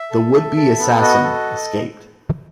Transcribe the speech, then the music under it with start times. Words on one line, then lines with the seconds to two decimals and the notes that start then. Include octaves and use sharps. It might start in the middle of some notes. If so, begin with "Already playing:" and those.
The would-be assassin escaped.
Already playing: E5
0.11 A4
0.34 A4
0.56 A4
0.79 B3
1.01 F#4 D#5
1.24 A4